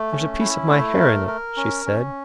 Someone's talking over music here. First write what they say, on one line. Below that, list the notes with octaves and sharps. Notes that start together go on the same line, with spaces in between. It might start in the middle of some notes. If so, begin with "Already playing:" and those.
"There's a piece of my hair in it," she said.
Already playing: A3
C#4
E4
A3
A#4
A#4
C#4
C#4